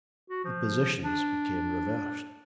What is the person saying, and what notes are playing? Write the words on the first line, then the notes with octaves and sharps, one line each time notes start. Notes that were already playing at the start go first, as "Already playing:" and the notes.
The positions became reversed.
F#4
F3
D4